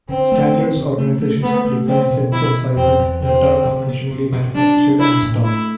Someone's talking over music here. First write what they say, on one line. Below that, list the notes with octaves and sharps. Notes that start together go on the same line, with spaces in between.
Standards organizations define sets of sizes that are conventionally manufactured and stocked.
D3 C4
A3
C4
D3
A3
A3
A3 B3
A3
B3 C4
B2
B2 E4
B2
E2 C4
E2
D3 C4
D3
C3
B3
C3
C3
G3 D4
D4
D4 E4
A2
A3 E4